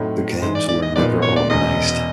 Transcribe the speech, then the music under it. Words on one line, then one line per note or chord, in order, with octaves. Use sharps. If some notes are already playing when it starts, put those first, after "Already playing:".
The games were never organized.
Already playing: A2 F#3 A3 C4 D#4
G#2 E3 G#3 C5
D5
D5
D#5
A#2 F3 G#3 B3 D#4 D5
C#5
D5
E1 E2 B2 G#3 C#4 D#5